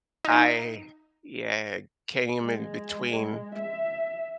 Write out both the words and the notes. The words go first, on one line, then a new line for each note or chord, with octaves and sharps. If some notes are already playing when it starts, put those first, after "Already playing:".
I, yeah, came in between.
D#4
G#3
E5